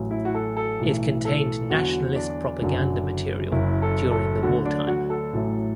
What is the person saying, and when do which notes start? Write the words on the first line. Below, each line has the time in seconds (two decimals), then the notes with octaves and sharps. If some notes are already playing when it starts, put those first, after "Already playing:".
It contained nationalist propaganda material during the wartime.
Already playing: A1 A2 F#3
0.11 E4
0.25 F#4
0.34 A4
0.57 A4
0.79 B1 A2 E3
1.25 A4
1.70 E2 D3 F#3 F#4
2.16 D4
2.61 F#1 F#2 D3 F#3
3.51 F#1 F#2 F#3 E4
3.82 A4
4.11 A4
4.42 D2 D3 F#3 F#4
4.65 D4
4.87 F#4
5.10 A4
5.33 A1 A2 F#3